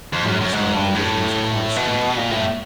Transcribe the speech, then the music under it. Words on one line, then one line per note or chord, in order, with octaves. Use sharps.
My next nightmare vision was a quiet street of the dead.
F2
F#2
F#2
G#2
G2
A2
B2
A#2
A2